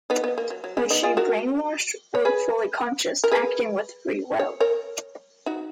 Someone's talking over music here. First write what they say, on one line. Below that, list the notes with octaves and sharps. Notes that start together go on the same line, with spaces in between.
Was she "brainwashed" or fully conscious, acting with free will?
B3 D#4
B3
A#3
F#3
F#3
G#3
B3 D#4
F4 G#4
F#4 A#4
C#5
G#4 B4
A#4
G#4 B4
C#5
A#4 C#5
D#4 F#4